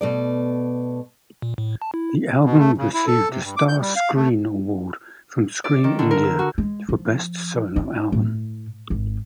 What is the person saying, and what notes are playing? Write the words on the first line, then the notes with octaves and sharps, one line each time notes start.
The album received a Star Screen Award from Screen India for Best Solo Album.
B2 A3 D5
A#2
A2
A5
E4
B2
A3
C#3
E4
A4
C3
G2
D6
G6
G3
F5
A3
D5
D#3
D3
A#4
E6
F#4
G#3
F3
D4
A2
G#1